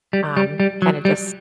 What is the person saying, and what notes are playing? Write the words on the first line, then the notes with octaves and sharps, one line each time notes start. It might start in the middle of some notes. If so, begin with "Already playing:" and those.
um, kinda just
G3
G3
G3
F#3
G3